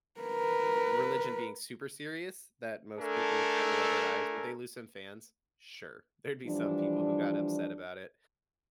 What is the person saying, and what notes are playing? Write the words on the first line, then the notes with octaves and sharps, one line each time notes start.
religion being super serious that most people would kinda roll their eyes. Would they lose some fans? Sure. There'd be some people who got upset about it,
A#4 B4
A3 D4 A4 A#4 G#5
E3 F3 G3 D4